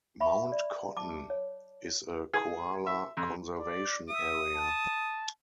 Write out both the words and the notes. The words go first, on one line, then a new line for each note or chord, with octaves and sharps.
Mount Cotton is a koala conservation area.
E5 B5 C#6
D5
A5 D6
C#5
G#4
E5
F2
D5
E5 D#6
A5